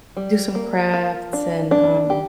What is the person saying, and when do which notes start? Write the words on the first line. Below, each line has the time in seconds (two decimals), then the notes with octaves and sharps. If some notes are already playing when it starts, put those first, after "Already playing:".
do some crafts and, um,
0.17 G3
0.55 A#3
0.94 F4
1.33 D4
1.71 D4
2.10 G4